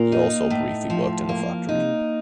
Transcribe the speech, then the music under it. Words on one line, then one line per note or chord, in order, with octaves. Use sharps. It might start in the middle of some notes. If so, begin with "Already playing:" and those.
He also briefly worked in a factory.
Already playing: A#2 A#3
D#4
A2
F3
A#3
C3 D#4